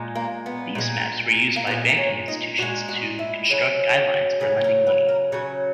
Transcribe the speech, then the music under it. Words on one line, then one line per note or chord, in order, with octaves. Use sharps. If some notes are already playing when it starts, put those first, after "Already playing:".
These maps were used by banking institutions to construct guidelines for lending money.
Already playing: A#2 G#3
A#3
B3
A#2 G#3
A#3
A#2 G#3 B3
C#4
D#4
A#2 G#3 F#4
F#4
E4
C#3 F#3
C#3 F#3 G#4
A#4
B4
A#4
C#3 F#3 C#4